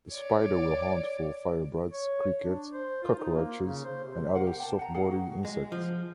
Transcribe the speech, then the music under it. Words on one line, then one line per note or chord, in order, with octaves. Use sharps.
The spider will hunt for firebrats, crickets, cockroaches, and other soft-bodied insects.
C#5 D5
C#5
D4
C5
F4
D#4
A#3
C#3
C5
C3
A#4 F5 F#5
G4
G5 A5
F#5 A#5
G#4 F5 F#5
F#4
G#3
F3